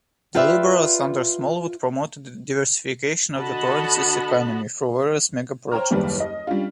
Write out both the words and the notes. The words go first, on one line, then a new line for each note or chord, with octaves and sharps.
The Liberals under Smallwood promoted the diversification of the province's economy through various megaprojects.
F4 G4 B4 D5 E5
D3 F#4 D#5 F#5 A5 B5
C5 C#5 G5 A#5 F6
F#1 D#2 G3 B4
D#5
G3 C#4 D4 F4